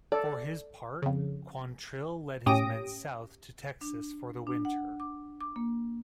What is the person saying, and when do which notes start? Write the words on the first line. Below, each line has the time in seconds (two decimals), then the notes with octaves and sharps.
For his part, Quantrill led his men south to Texas for the winter.
0.12 A4 D5
1.02 F2 C#3
2.46 A2 C#4 G4 D#6 A#6 D7
3.81 D4
4.47 D4
4.65 F#5
5.00 D6
5.41 D6
5.56 A#3